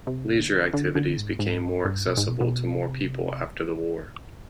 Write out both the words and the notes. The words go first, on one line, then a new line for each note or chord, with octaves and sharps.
Leisure activities became more accessible to more people after the war.
C3
D3
D3
D3
G#2
G#2
G2
G2
B2
G#2
B2
B2
C3